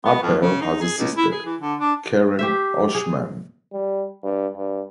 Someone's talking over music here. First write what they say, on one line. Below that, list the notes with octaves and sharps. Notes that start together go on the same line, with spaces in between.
Appel has a sister, Karen Oshman.
B3
F2
C#3
D#4
G#4
C#2
E4
G#4
E3
D3
D4
G4 C5 E5
G#4
G3
G2
G2